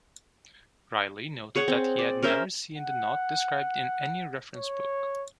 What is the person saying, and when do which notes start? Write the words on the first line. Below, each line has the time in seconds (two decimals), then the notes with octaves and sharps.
Riley noted that he had never seen the knot described in any reference book.
1.56 G#4 C#5 F#5
1.68 C4
1.99 D5
2.23 C#4 A#4 C5 E5
2.76 F#5
4.55 C#5